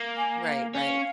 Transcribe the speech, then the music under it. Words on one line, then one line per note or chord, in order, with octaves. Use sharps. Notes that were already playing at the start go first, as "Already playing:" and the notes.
Right, right.
Already playing: A#3
G#5
F5
C#4 F5